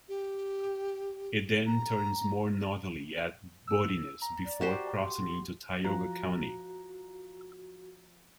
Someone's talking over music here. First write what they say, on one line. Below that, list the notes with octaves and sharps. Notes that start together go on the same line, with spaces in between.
It then turns more northerly at Bodines before crossing into Tioga County.
G4
A#5
E6
A#5
D5
F#4 G4 C5
C6
F3 F#4 A#5